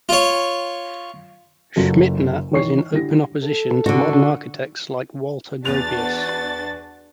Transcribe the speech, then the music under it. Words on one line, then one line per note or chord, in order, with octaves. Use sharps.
Schmitthenner was in open opposition to modern architects like Walter Gropius.
F4 C#5
F#1 F#3 F4 A4
D#3 E3 C#5 C#6 C7
D3 E4 G4 A#6
A4
D3 F#4
E2 D4 F#4 B4 A6 F7